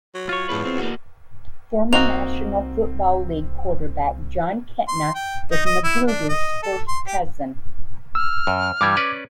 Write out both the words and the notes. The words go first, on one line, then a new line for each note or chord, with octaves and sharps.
Former National Football League quarterback Jon Kitna is Magruder's first cousin.
F#3
F4 C#5
E2 G#2 B4
C4
A#3 F#4
C2 A#3 C4 D#4 F#4 F7
C6
G5
D#4
D#5
E4
D4
D#5
A4
C6
G4
E6 F6
F#2
G2 E3 G3 D6 G#6
C#4 B4 D5